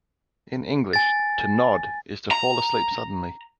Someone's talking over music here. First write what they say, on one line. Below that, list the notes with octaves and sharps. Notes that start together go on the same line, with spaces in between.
In English, "to nod" is to fall asleep suddenly.
G#5 A6
A#5